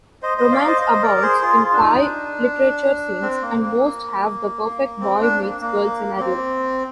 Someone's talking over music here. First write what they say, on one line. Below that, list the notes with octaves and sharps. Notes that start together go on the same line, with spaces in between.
Romance abounds in Thai literature scenes and most have the perfect boy-meets-girl scenario.
C5 D#5
C5 D#5
D5 F5
C5 D#5
C5 D#5
A#4 D5
D5
G#4 C5
F4 G#4
F4
D4
D#4
D4
C4
A#3
A#3
C4
D4
A#3
A#3
A#3
C4